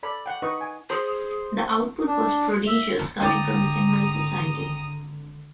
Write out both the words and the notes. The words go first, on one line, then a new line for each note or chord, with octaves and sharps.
The output was prodigious, coming from a single society.
A4 D5 B5
F#5 G5
D#4 B4 D#5 F#5 C#6
G#5
G#4 C5
D4
E5
G#1 D3 G5 A#5 D6 D#6 A6